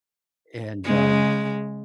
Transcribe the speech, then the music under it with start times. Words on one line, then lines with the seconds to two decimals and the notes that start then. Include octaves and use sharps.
and, um,
0.84 C#3 G#3